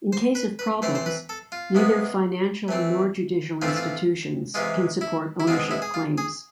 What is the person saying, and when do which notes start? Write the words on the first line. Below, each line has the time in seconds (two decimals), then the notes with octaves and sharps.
In case of problems, neither financial nor judicial institutions can support ownership claims.
0.13 C5
0.35 B4
0.59 B4
0.82 E3 A3 C4 C5
0.95 C5
1.06 B4
1.29 A4
1.52 F4
1.75 C3 G#3 B3
2.68 E3 A3 C4
3.62 A2 E3 A3 C4 F4
3.68 E4
3.76 F4
4.54 C3 E3 G#3 F4
5.01 E4
5.40 E4
5.47 B2 G#3 C4 F4
5.71 E4
5.82 G#4
5.94 F4
6.18 G#4